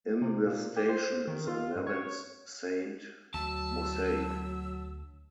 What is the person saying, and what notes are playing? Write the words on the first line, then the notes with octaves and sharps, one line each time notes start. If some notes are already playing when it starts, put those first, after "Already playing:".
In the station is a "Nevins Saint" mosaic.
C3
A#2
G4
C5
D#3
F4
G2
C#5
D2 F#3 A5 E6